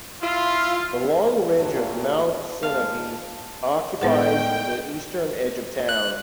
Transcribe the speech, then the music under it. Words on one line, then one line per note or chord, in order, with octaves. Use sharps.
The long ridge of Mount Sunapee occupies the eastern edge of town.
E4 F4
G2 A#2 F#3 A3
D#2 A#2 G#3 F5 A5
A2 D#3 G#3 B3 B4 F#5 G5
F#6